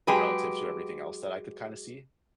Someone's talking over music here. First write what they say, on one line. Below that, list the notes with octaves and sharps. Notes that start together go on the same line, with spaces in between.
relative to everything else that I could kinda see,
F#3 G#3 G4 G#4 B4